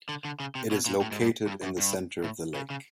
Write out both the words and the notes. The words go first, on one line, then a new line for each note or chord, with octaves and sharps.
It is located in the center of the lake.
D3
D3
C#3
C3
B2
A#2
A2
G#2
G2
G2
F#2
G2
A2
C#3
C#3